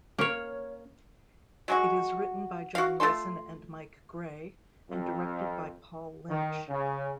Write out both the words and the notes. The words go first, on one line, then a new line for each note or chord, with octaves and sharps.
It is written by John Mason and Mike Gray, and directed by Paul Lynch.
A#3 C#4 C#5
F#3 G#3 F#4
F#4 F5
A3 F4 A4 C6
F2
D#3
C#3